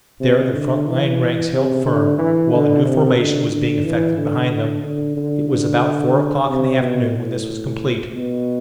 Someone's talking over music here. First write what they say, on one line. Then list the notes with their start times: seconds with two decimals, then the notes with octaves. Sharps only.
There their front-line ranks held firm, while the new formation was being effected behind them. It was about four o'clock in the afternoon when this was complete.
0.20 C3
0.54 D3
0.87 E3
1.53 C3
1.86 D3
2.18 E3
2.51 D3
2.85 C3
3.18 D3
3.51 D3
3.84 E3
4.17 D3
4.50 D3
4.84 D3
5.16 D3
5.49 D3
6.49 C3
6.81 B2
7.15 A2
8.15 B2